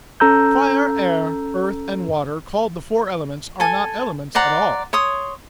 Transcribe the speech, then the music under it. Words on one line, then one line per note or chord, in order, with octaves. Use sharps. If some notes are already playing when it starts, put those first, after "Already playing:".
Fire, air, earth, and water, called the four elements, are not elements at all.
C#4 A4 A#5 E6 G6
A4 G#5
C5 D5 F#5 A#5
C#5 C6 D#6